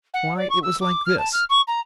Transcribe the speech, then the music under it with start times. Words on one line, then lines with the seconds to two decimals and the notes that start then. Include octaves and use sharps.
Why, it was like this.
0.14 F#5
0.37 D5
0.50 C#6
0.63 E6
0.81 D6
1.06 F6
1.18 A5
1.33 F6
1.49 C#6
1.67 A#5